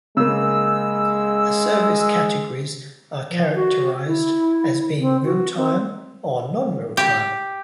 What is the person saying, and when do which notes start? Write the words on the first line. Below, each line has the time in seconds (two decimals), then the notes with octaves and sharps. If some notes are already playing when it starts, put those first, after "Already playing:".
The service categories are characterised as being real-time or non-real-time.
0.17 C#3 G#3 A#3 E6
3.30 F3
3.55 F#4
4.07 E4
5.00 C4
5.24 F#4
5.56 C4
6.97 G4